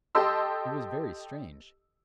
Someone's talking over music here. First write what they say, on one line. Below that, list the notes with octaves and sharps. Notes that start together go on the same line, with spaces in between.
It was very strange!
G4 A4 D#5 C6 E6